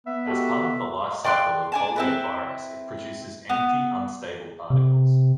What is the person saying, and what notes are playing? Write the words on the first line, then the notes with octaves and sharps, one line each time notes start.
As part of the lifecycle of poliovirus it produces empty unstable particles.
B3 E5
F#4 G4 A4
D5 G5 C6 F#6
D4 G#5 A5
C4 E4 B4
B3
C3